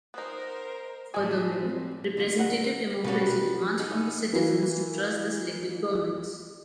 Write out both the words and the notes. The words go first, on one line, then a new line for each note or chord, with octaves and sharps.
Furthermore, representative democracy demands from the citizens to trust the selected governments.
B3 D#4 A#4 C5
A2 G#3 A4 D5 G#5
C4
D3 F4
A#4 F#5
B2 G3 C#4 F#4 B4
B3 D#4 G#4
E3 A#3 F4 B4